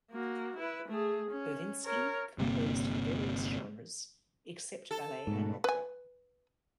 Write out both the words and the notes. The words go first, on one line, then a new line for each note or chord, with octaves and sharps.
Barvinsky composed in various genres except ballet and opera.
A#3 F#4
E4 B4
A3 G#4
C#4
A#4 C#5
G1 C3 A#3
A4
G#2 B2 A3
B4 G#5